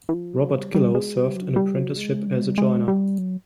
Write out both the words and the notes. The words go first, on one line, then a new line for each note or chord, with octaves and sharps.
Robert Gillow served an apprenticeship as a joiner.
E3
F3
F#3
G3
G3
G#3
G3
F#3
G3
F#3
G#3
G3
G#3
G3
G#3
G3
F#3